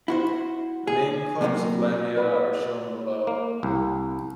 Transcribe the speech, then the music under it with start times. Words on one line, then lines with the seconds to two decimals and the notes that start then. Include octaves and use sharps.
The main clubs of Lamia are shown below.
0.08 E4 F#4 C5
0.87 G#4
1.41 A2 C3 F#3 G3 A#3
2.17 B4
3.27 A#3
3.63 C2